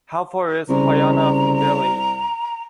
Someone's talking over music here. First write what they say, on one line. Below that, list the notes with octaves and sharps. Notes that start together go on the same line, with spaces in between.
How far is Haryana from Delhi?
C2 C#3 A#5